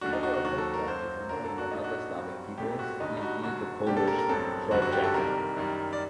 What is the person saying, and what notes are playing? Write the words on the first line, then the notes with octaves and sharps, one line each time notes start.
Similar folk dances are known among other Slavic peoples, e.g., the Polish Trojak.
D#2 D3 A3 D4 F#4
D#4
F#4
F#4
D#2 D#3 F#3 F#4
A4
A#4
F#2 F#3 A#3 C5
F#1 F#2 D3 F#3 A#3 A#4
A4
F#4
A#1 A2 A3 D4 D#4
F#4
G2 F#3 C4
A#1 A2 A3 C4 G4
F#4
G1 G2 D3 G3 D#4
D#4
F#4
F#1 F#2 D3 F#4
C2 A#2 A3 D4 G4
A4
A#4
A#4
A1 G2 F#3 C4 A4
G1 F#2 D3 G3 F#4
F#4
G4
A4
C2 C3 D#3 G3 A#4
F#2 D#3 G3
D5